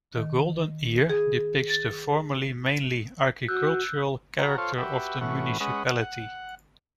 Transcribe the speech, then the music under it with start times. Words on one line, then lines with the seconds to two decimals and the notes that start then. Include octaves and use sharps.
The golden ear depicts the formerly mainly agricultural character of the municipality.
0.15 D#3
1.10 G#4
1.70 A6
3.48 F#4 E6 F#6 G6
4.39 F#4 A#5
4.58 F4 A4 C5 C#5
4.78 F#4 G4 B4 E5
5.21 A2 E3 B3 C#4 F#4
5.60 G#3 C#4 B4 D#5 F#5
5.87 F#5